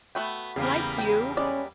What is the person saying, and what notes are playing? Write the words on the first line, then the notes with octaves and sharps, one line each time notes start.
Like you?
A3 B3 F#4 G5
E2 C#3 G3 A#3 B3
G5
G#3 C#4 D5